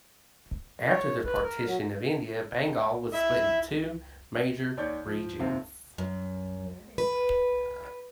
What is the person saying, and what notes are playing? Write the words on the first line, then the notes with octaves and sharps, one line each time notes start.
After the partition of India, Bengal was split into two major regions.
C#5
B4
A#4
F#3
E4 E5
D#2 C#5 D5 C#6 G6
F3
D#2 C3 C4 F5 A5
F#2
B4